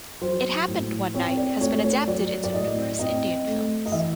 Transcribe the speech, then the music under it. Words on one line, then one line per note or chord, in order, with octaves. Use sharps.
"It Happened One Night" has been adapted into numerous Indian films.
F#3 C5
A2
C4 C#5
D5
A3 C#5
C#5
F#3 D5
D5
A2 D#5
C4 D#5
A3
D#5
E3 E5